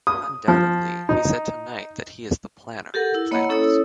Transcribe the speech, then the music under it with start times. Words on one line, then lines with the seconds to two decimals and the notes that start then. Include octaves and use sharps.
Undoubtedly he said tonight that he is the planner of planners.
0.07 D#6
0.48 F3
1.09 D#4
2.94 G4 A4 A#4 F#5
3.15 E4
3.31 A#3 E4 C#5 D#5 F#5 B5
3.49 C#4 E4 A4 C#5 D#6 E6